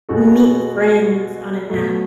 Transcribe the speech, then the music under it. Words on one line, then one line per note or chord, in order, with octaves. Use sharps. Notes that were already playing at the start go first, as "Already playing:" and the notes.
meet friends on an app,
B2 G#3 C#4 F#4 A4
B2 F#3 A3